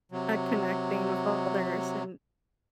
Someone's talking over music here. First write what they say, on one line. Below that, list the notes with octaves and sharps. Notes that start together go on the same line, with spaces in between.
at connecting with others and
C3 F#3